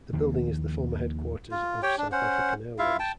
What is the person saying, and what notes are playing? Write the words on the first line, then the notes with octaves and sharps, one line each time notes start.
The building is the former headquarters of South African Airways.
D#2 D#3 F3 A#3
F4
G4 C#5 G5
D4
C#4 C5 F#5
E4 F4 E5 F5
G5 A5